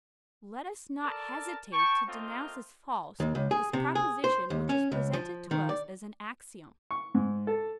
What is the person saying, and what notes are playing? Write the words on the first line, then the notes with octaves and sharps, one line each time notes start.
Let us not hesitate to denounce as false this proposition which is presented to us as an axiom.
A4 A#4 D5 A5
G5 A5 C#6
A3 A#3 C4 F4 D#5
D#2
C#2
G#4
C3
G#4
C5
D#2
C#4
C#2
F3
D#3
D5
C#6
G#2
A4